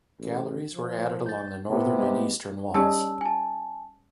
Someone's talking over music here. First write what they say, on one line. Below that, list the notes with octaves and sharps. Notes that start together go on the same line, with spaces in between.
Galleries were added along the northern and eastern walls.
A1
F3
G6 A6
A2 C3 B3 G4
G#3 G4
G3 C#4 D#4 A5 E6
G#5 A5